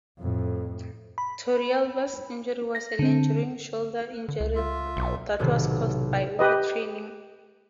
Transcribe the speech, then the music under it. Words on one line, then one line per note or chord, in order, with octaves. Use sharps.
Torrealba's injury was a lingering shoulder injury that was caused by overtraining.
F2 A2
B5
A#6
D3 C4
D3
C#2
F4 E5
B1
B1 A2 C3 D#3 F#3
G4 B4 D#5